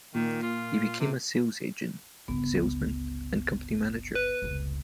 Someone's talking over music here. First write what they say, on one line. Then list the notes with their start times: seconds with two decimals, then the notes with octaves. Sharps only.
He became a sales agent, salesman and company manager.
0.14 A#2 D#3
0.43 F4
1.00 C3
2.28 G1 C#2 B3
4.15 B4
4.42 F1 C#2